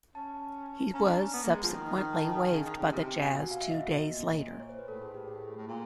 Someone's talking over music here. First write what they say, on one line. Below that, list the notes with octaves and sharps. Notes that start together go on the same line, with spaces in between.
He was subsequently waived by the Jazz two days later.
C#4 A5
C#4 A#5
D4
C#4
B3
A#3
G#3
F3
D#3
A5
G#5
C#3
D#3
C#3
C3
B2 G#5
F#5
F5
E5
B2 D#5
A#2
C#5
C5
B4
A2 A4
G#4
G4
G#4
A2
A#2